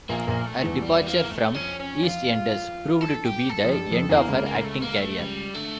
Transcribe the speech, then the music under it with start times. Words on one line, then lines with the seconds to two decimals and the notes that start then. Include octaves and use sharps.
Her departure from "EastEnders" proved to be the end of her acting career.
0.09 A#1 A#2 A#3
0.27 A#1 A#2
0.46 A3
0.64 E2 E3
0.82 G3
1.07 A#3
1.31 A3
1.54 F2 F3 C#4
1.80 C#4
2.03 F4
3.01 A4
3.25 G4
3.49 A4
3.64 F3
3.72 G2 G3 A4
3.91 F2 F3
4.09 E2 E3 A#3
4.27 C#2 C#3
4.46 A#3
4.64 A3
4.82 A#3
5.00 A3
5.18 C#2 C#3 G3
5.54 D3 A3